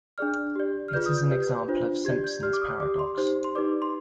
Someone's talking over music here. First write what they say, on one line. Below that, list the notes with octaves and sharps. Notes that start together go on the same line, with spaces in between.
It is an example of Simpson's paradox.
D4 G#4 D5 F6
G4 D5
F6
F4 G#4 B4 D5 G6
D#6
G6
G4 B4 D5
D4 F4 C5
G4 D5 G#6
G6
G4 D5 F6
D6
D#6
G4 D5 D6
C6
D#4 G4 C5
C6
D#4 G4 B4 D5 D6
C6